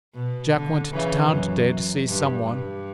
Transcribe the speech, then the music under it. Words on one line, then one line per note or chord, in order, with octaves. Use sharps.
Jack went to town today to see some one.
B2
D3
C#3 E3
F#2
G2
G2